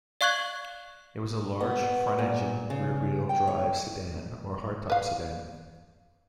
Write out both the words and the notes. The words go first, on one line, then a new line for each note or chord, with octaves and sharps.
It was a large front-engine rear-wheel drive sedan or hardtop sedan.
D5 F5 C#6 F#6 G#6 F#7
B3
A#2
C#3
G5
C#5
B4 F5